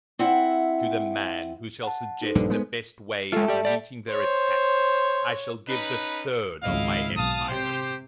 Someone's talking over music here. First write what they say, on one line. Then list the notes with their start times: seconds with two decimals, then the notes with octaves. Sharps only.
"To the man who shall suggest the best way of meeting their attack, I shall give the third of my empire!"
0.19 C4 E4 E5 F#5
1.83 F#5 A5
2.21 D#4 A4 C5
2.35 A#1 G2 D3 B4
2.50 G#3 B3
3.32 G#3 A3 F4
3.48 G4 D5
3.65 G4 D5
4.10 C5 C#5
5.68 C#4 D#4 B4
6.63 G#1 C#2 E4 D#5 F5
7.17 B1 F5 A5 D#6
7.49 C3 G4 C5